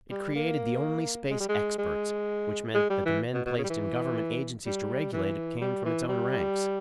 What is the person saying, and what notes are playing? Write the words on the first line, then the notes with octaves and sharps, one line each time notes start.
It created the only space experts, which meant that the men placed in government agencies to regulate it came from its own ranks.
G3
A#3
G#3
G3
G#3
G#3
G#3
G3
E3
B2
B2
C#3
G3
E3
G3
E3
G3
E3
G3